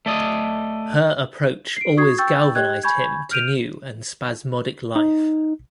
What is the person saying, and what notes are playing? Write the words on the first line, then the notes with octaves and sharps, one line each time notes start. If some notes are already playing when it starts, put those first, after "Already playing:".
Her approach always galvanized him to new and spasmodic life.
A3 D5 D#5
C7 D7
F#4 C#6 D#6 G#6 C7
G5 C#6 E6 G6 A6
G4 D#5 G5 F#6 G#6
G#5 B5 C#6 G6 G#6
F6 G6 D7 D#7 F7
D#4